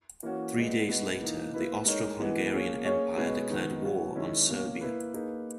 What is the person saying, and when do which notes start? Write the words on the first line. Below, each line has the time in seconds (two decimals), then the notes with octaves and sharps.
Three days later the Austro-Hungarian Empire declared war on Serbia.
0.23 E3 A#3 C#4 F#4
0.55 A#2 G#3 B3
0.88 B2 G#3 B3
1.21 E3 A#3 D#4
1.54 A#3 E4 B4
1.86 G#3 D#4 A#4 C#5
2.19 E3 G#3 B3
2.52 A#3 C#4 G#4
2.84 A#3 C#4 G#4 C#5
3.17 B2 G#3 C#4 G#4 B4
3.50 D#3 G#3 B3 D#4
3.83 B2 F#3 B3
4.16 D#3 G#3 C#4 E4
4.48 B2 A#3 C#4
4.81 A#3 E4 B4
5.14 A#3 D#4 G#4 B4